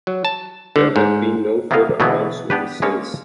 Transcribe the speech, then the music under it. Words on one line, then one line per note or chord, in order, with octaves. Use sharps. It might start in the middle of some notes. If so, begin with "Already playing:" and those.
There have been no further announcements since.
F#3
A5
D3
G#2
C3 A#3 B3 E4 D#5 F5
B2 D3 E3 F#3 A#3 B3
B3 D4 G4 B4
G#3 A#3 C#4 A4 C#5